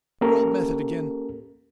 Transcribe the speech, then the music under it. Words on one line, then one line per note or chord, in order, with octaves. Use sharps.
Your old method again.
A#3 C#4 G4 A4 A#4